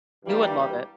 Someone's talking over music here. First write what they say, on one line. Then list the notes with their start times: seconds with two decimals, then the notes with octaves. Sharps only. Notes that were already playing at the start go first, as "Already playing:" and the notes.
You would love it.
0.23 G2 E3 G3 A#3